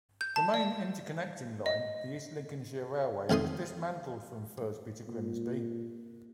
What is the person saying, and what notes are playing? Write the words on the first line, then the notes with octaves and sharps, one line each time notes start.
The main interconnecting line, the East Lincolnshire Railway, was dismantled from Firsby to Grimsby.
G6
A5
D5
D#5
F2 D#3 A3 C6 D#6
A#2